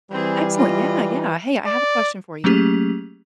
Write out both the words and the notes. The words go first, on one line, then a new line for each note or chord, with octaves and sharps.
Excellent. Yeah, yeah. Hey. I have a question for you.
E3 G3 C4 G#4
F4 D#5
D5
F#3 A3 A#3 C#4 G4 G#4